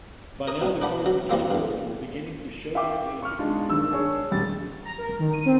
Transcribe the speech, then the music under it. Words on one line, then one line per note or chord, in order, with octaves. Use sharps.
By now the car's mechanicals were beginning to show their age in Europe.
A#4 D#6
B2
D4 B4 F#5 B5
F#3
E3 G3 A#3 C4
E2 G2
E5 F5 G5 D6
C#6 F6
G#3 D4 D#4 F4
G2 D#3 E6
D4 G#4 C#5
D#1 G3 A6
A#5
A#4
D#3
D#7
C4